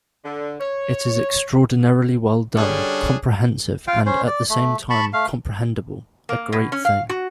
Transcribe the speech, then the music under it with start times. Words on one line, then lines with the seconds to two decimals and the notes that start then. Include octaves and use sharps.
It is extraordinarily well done, comprehensive and at the same time comprehendible-a great thing.
0.25 D3
0.60 C#5
2.55 D3 G3 C#4 D4 G#4
3.87 F4 F5 G5
4.06 C#4 C5
4.27 D5
4.50 A3
4.90 A5 B5 C#6
5.13 A3 F5
6.29 A#3
6.52 B2
6.72 C#4
6.85 F5
7.09 F#4